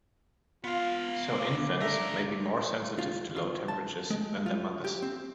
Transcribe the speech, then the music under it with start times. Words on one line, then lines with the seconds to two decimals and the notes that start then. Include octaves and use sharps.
So infants may be more sensitive to low temperatures than their mothers.
0.64 B3 F4 F5
1.33 D6
1.81 D2 A4 A#4 D5 E5
2.99 F4
3.36 F4
3.68 A5
4.10 G#3
4.46 F4
4.84 G4
5.02 C4